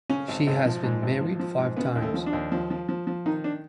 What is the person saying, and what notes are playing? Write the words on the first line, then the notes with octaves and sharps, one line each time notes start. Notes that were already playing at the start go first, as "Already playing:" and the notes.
She has been married five times.
C#3 C#4
G#1
G#1
F3
G#2
G#1
F3
F3
G#2
C#3 B3
D#2
A3
F3
D4
D#2
F3
F3
F3
F3
D#3 D#4
D4